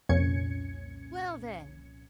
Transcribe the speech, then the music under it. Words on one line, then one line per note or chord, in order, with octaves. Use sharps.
"Well then!"
C2 F2 A#2 C#4 G#6 C#7